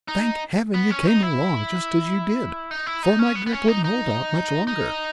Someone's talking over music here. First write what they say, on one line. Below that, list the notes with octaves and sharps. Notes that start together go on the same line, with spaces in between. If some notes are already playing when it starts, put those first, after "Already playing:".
"Thank Heaven you came along just as you did, for my gripe wouldn't hold out much longer."
D#4
B3
C#4
D#4
E4
D#4
E4
D#4
C#4
B3
B3
C#4
D#4
D#4
D#4